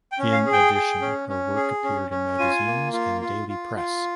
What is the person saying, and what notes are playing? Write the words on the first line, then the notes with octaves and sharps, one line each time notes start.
In addition her work appeared in magazines and daily press.
G5
C#4
F5
G#4
G5
G#4
C#4
C#4
G#4
C#4
C#4
F4 G#5
A#3
F4
F4
F4
F4